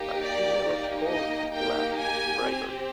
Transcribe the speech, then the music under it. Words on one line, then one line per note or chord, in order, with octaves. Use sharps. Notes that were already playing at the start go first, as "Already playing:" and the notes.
But he never told his last bravery.
Already playing: A#3 D#4 G4
D5
A#3 D#4 G4
D#5
A#3 D#4 G4 G5
G#5
C4 G4